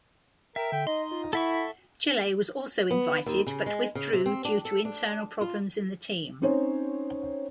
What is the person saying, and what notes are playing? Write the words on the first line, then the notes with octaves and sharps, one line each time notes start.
Chile was also invited but withdrew due to internal problems in the team.
A#4 E5 G5
D3 G5
D#4 D#5 C6
F4
E4 A4 E5 F#5 C#6
B3
D#2
C#3
G#3
C#3
C3
C4
D4
A4
D4
F4
C4 C#4 D#4 C5 C#5